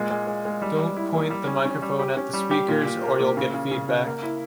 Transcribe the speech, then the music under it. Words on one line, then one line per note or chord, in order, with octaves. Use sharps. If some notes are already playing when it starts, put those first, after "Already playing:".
Don’t point the microphone at the speakers or you’ll get feedback.
Already playing: A#2 G#3
G#3
G#3
G#3
G3
G3
E4
A#3
G3
C#4
C#4
G3
G4
C#4
G3
G4
A#2
A#2
A#3
A#2
C#3
C#3
C#3
C#3
A#3
E4